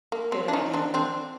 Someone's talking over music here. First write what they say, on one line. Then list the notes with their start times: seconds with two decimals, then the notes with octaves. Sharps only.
Good idea.
0.12 A#3
0.32 C4
0.48 D4
0.53 C#4 D#4
0.73 C4 D4
0.94 C4 D4